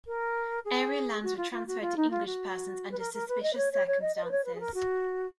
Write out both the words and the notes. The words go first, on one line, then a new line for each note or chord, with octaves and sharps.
Area lands were transferred to English persons under suspicious circumstances.
A#4
G#4
F#4
F4
F4
F#4
F4
D#4
F4
F#4
B4
A#4
A#4
B4
D#5
B4
C#5
C#5
C#5
D#5
D#5
B4
C#5
B4
G#4
A#4
F#4